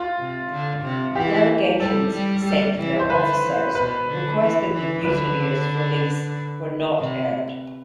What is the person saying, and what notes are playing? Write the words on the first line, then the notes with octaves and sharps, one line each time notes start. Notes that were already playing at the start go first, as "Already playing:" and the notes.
Delegations sent to their officers requesting the mutineers' release were not heard.
Already playing: F4
C3
D3
C3
E3 G4
G3 A4
G3
G3
E3
C5
D3 B4
E3
B2 B4
D3
E3
E3
D3 B4
C3